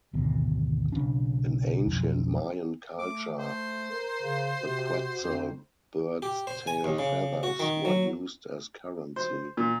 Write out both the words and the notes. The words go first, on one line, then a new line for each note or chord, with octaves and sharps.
In ancient Mayan culture, the quetzal bird's tail feathers were used as currency.
G#1 D2 B2
B1 C#3 C#4 D4
B1 F2
A3 D6
C5
A#4
C#3
C3 F#4
F2
G4
C5
G#5
D#2
C#3
F#4
D#3
F#3
C5
A#2